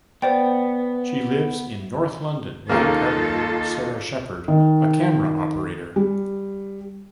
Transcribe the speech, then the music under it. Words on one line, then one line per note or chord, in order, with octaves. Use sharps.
She lives in north London with her partner Sara Shepherd, a camera operator.
B3 C5 D5 G5
D#2 C#3 A#3 D#4 F4 A4
D#3
G3